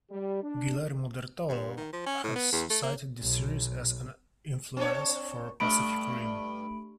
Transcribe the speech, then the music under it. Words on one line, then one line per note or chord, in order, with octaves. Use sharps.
Guillermo Del Toro has cited the series as an influence for "Pacific Rim".
G3
D4
G2
D#3
F3
C#4
A2
B3
E2
A3
A#3
B1
C4 D4 C#5
G2 A3 B5 D7